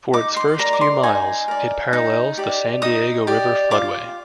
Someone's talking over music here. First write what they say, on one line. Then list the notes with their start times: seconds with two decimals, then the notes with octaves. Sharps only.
For its first few miles, it parallels the San Diego River floodway.
0.13 D#4 D6
0.36 C6
0.59 A#4 D5 A#5
0.73 D6
0.81 C6
1.03 D#4 G#5
1.48 A#4 D5
1.93 D#4
2.38 G4 D5
2.82 D#4 D#6
3.27 G4 D5
3.71 F4 D6